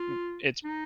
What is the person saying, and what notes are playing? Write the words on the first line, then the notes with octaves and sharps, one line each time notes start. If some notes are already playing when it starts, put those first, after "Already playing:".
m it's
Already playing: F4
D#4